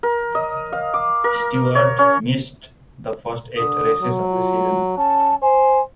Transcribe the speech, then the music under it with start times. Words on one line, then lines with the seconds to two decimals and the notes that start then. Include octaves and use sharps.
Stewart missed the first eight races of the season.
0.03 A#4
0.35 D#5
0.72 F5
0.94 D6
1.24 A#4
1.75 C#5
1.99 C#4
3.57 D3 D#6
4.01 F#3
4.31 F4
4.98 C#4 A5
5.42 C5 G#5